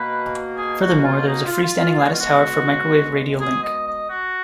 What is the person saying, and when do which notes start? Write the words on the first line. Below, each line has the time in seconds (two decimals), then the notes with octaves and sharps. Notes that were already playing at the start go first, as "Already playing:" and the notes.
Furthermore there is a free standing lattice tower for microwave radio link.
Already playing: B2 A#3 B4
0.56 G#4
0.80 F#4
1.04 F4
1.27 D#4
1.44 F4
1.63 F4
1.80 F4
1.98 B2 G#3 B3 G#4
2.05 F#4
2.12 F4
2.19 F#4
3.40 G#4
3.63 D#5
3.87 D#5
4.10 F#4